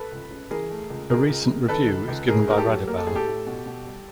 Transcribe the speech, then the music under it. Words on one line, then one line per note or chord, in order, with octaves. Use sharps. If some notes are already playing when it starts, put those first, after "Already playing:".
A recent review is given by Radebaugh.
Already playing: A4 B4
C#2
C#3
E3 G#4 A#4
A3
C#2
C#2 G#4 A#4
C#2
C3
D#3 A4 B4
C#2
C#2
A2 G#4 A#4
A2 A#4
G4 A4
F#3
A#3 A#4
A4
A2 G#4
G4 A4
A2
B2
B2
G3